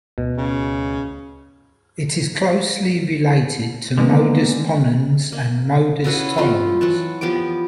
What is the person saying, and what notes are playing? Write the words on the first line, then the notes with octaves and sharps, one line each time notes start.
It is closely related to "modus ponens" and "modus tollens".
D2 B2
C#3
D3 D#3 G#3 A#3 B3
A#3
C#3 E4 F#4 B4
F3 A3 C4 F4
E3 F#3 F#5 A5
F3 B3 G4 D6